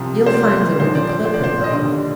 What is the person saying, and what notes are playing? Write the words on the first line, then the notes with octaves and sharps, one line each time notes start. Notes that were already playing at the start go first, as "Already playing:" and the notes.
You'll find them in the 'Clipper,' though.
Already playing: C2 C3 F3
C5
D5
A#1 A#2 F3 C5
D5
D5
C5
D5
C5
D#5
D#2 D3 G3 D4 D5